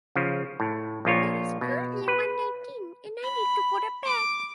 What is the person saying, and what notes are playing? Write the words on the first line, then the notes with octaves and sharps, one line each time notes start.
It is currently one nineteen and I need to go to bed.
C#3 F3
A2
A#1 A#3 F4 C#5
B2
B4
B5
D6